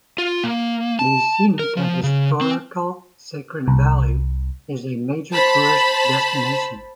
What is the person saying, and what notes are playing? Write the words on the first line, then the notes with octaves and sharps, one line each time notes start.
The scenic and historical Sacred Valley is a major tourist destination.
F4
A#3
A5
A#4
F3
C#3
C4
C2
C5 A5 B5